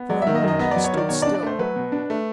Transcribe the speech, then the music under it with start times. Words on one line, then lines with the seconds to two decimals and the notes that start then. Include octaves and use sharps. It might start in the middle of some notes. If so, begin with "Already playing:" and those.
For a moment he stood still.
Already playing: B3
0.10 F#3 D5
0.22 D#3 E5
0.35 D#5
0.42 F#2
0.48 D#5
0.59 B3 D#5
0.71 F#3 D5
0.84 C#5
0.93 D#3 D5
1.09 B2 C#5
1.22 D5
1.27 D4
1.34 D5
1.42 A3 C5
1.59 F#3 B4
1.76 B2
1.92 D4
2.10 A3